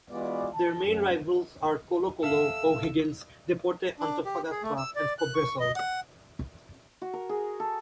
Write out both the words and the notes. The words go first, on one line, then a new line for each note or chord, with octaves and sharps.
Their main rivals are Colo-Colo, O'Higgins, Deportes Antofagasta and Cobresal.
E3 G#3 B3 F4 F#4 D5
A5
F#2
A4 E5 F5 E6
D4
G4
G#4
A3
E6
D5
F#6
C#6
D#5
F#5
F#4
A#4
G#4
A4